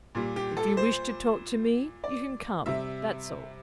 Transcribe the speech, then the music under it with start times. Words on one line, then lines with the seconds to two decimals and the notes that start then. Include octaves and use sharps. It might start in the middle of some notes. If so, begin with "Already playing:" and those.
If you wish to talk to me, you can come, that's all.
0.15 A#2 G3
0.36 G4
0.57 A4
0.77 C5
2.04 D5
2.66 C3 G3 E5